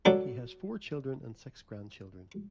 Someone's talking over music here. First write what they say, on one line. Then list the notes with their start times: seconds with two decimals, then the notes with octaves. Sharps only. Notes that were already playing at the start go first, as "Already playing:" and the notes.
He has four children and six grandchildren.
0.05 F#3 D4 A4